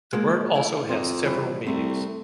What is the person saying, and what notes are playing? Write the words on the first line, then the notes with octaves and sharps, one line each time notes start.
The word also has several meanings.
G#3 A#3 D#5
A3 E4
F2 C5 A#5
C3 E3 G3
C2 A3